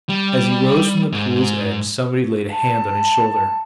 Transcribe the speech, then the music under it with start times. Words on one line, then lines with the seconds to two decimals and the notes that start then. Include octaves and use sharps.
As he rose from the pool's edge, somebody laid a hand on his shoulder.
0.09 G3
1.12 G#2
2.52 A5